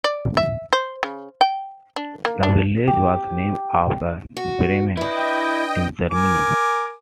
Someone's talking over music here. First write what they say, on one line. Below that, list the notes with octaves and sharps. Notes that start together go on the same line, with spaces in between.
The village was named after Bremen, in Germany.
D5
E5
C5
C#3
G5
D4
A#3
D4
G4
F#4
D4 E4 B4 D#5 G5
A#4 G#5 D6